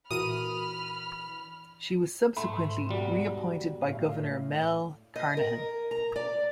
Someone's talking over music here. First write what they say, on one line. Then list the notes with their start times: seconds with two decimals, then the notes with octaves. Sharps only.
She was subsequently re-appointed by Governor Mel Carnahan.
0.11 A#2 E3 F#4 A#4 B5 D#6 F6 D#7
2.37 G#2 A3 B5 C6
2.89 B1 G3 F#4
3.82 A2 F5
5.16 D#5
5.37 A#4
5.91 A#5
6.16 D5